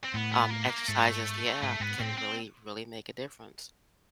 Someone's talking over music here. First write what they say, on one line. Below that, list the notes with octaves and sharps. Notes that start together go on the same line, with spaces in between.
um, exercises, yeah, can really, really make a difference.
C4
A2 B3
B3
A#3
B3
A#3
G#2 A3
G#2 A3
G#2 B3
A2 C4
C4